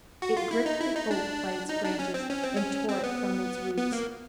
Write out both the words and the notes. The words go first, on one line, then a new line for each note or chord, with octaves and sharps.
It gripped the oak by its branches and tore it from its roots.
F#4
F4
E4
D#4
E4
D#4
D4
D#4
D4
C#4
C4
C#4
C4
C#4
C4
B3
B3
A#3